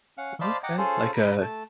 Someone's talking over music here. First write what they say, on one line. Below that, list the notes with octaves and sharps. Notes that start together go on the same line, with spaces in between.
Okay, like a
C#4 F5 F#5
C5 D5 D#5 F5 A5 B5
D#5 F#5 G5 A#5 D6
C#4 F4 G#4 A4 C5
A#5 B5
A3 A5